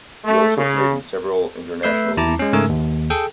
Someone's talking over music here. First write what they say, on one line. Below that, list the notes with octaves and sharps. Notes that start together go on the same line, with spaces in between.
He also played in several international leagues.
A3
C#3
A3 B4 E5 E6 G6 C7
E2 E4 A5 A#5 D6
G#3 C#4
G#2 C#3 A3 A#4 G#5 E6
D#2
G#4 A4 G5